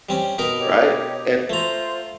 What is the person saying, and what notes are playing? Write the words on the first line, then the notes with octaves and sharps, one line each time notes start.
right? And
G3 C4 C#4
B2 D#4 A#4
G4 C#5 D#5
A3 F4 C5 A#5